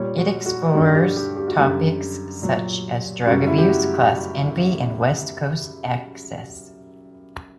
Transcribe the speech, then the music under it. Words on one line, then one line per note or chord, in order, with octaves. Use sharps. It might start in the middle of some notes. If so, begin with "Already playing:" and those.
It explores topics such as drug abuse, class envy, and West Coast excess.
Already playing: A#2 G3 C#5
F#4
F#4
G2 D3 G3 F#4
G4
G4
G4
F#4
F#2 D3 G3 G4
A#2 F#3
F#2 C#3 G3 F#4
E4
G4
F#4